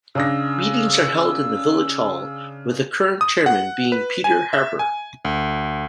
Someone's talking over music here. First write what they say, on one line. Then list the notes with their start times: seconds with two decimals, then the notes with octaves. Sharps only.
Meetings are held in the village hall, with the current chairman being Peter Harper.
0.15 C#3 D4 E6 A#6
3.21 D#6
3.46 F#5
3.92 B4
4.24 G#5
4.53 E5
4.79 G#5
5.25 D2